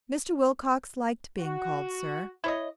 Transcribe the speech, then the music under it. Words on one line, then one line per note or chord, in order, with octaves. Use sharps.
Mr. Wilcox liked being called sir.
F#4
E4 C#5 D#5